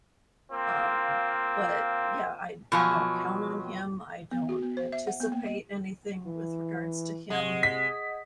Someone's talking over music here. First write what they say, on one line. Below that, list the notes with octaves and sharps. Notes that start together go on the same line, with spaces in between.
Um, but, yeah, I I don't count on him, I don't anticipate anything with regards to him,
A#3 C4 F4
B2 F3 F#3 G#5
B3
F#4
B3
C5
E5
F#5
B3
A#3
D#5
E3
C3 G#3 D#5 F#5
B6